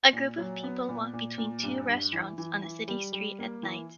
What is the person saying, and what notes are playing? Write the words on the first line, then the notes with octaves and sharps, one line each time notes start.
A group of people walk between two restaurants on a city street at night.
A#2
F#3
B3
A#2
A#2
A#2
G2
G2
E3
E3
E3
G3
G3
A#3
E3